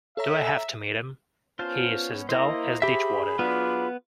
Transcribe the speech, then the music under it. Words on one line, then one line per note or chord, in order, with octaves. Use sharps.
Do I have to meet him? He is as dull as ditchwater.
A4 C#5 E5 A#5
B3 C#4 F4 C5 A5
A#3 E4 C5 D#5 A#5
G4 G#4 E5 B5
F#3 B3 D4 F4 G#4 B4